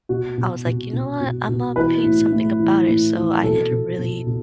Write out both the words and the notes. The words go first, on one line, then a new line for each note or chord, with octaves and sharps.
I was like, "You know what? Imma paint something about it, so I did a really
B2 F#4
B2
B2
B2
B2
B2
E3 B4
A2
A2
E3
A2
E3
B2 A4
B2
B2
B2